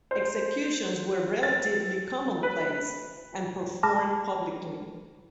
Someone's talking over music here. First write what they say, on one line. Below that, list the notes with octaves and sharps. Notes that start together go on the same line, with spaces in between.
Executions were relatively commonplace, and performed publicly.
C5
A6
B4
A5 B5 D6 F6 A#6